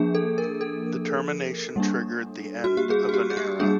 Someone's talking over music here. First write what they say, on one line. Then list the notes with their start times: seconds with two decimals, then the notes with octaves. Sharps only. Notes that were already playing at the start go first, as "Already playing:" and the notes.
The termination triggered the end of the era.
Already playing: F3 A#3 D4 G#4
0.15 A4
0.38 A#4
0.61 A4
1.76 G3 A#3 D4
2.64 F#4
2.77 G4
2.90 G#4
3.09 F#4
3.14 G4
3.30 G#4
3.37 G4
3.60 G3 A#3 D4 G#4